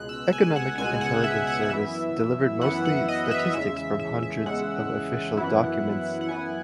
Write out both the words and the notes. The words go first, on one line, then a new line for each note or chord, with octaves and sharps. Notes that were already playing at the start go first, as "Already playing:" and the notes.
Economic Intelligence Service delivered mostly statistics from hundreds of official documents.
Already playing: C#2 B2 G#3 F#6
E6
G#5
F#5
C#2 B2 G#3 G#5
F#5
E5
F#5
F#5
F#2 E3 B3 E4 E5
F#2 E3 B3 E4 F#5
F#5
D#5
E5
E2 C#3 G#3 E5
E5
E5
E5
E2 C#3 G#3 F#5
F#2 E3 B3 E4
F#5
F#2 E3 B3 E4 G#5